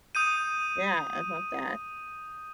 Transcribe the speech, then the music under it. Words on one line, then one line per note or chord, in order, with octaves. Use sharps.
Yeah, I love that.
D#6 G6 D#7